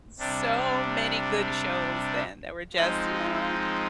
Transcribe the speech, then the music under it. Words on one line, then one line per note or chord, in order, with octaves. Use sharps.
So many good shows then that were just, you know
C3 G3 D4
F3 G#3 C4 D#4